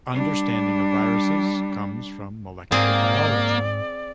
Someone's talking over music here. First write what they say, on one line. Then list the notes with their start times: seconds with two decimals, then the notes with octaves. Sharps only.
Understanding of viruses comes from molecular biology.
0.14 G3 D4
2.72 G#2 A#3 C4 G#4 D5